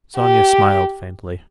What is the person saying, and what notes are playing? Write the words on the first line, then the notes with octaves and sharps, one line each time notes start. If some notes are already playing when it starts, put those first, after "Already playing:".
Sonia smiled faintly.
G4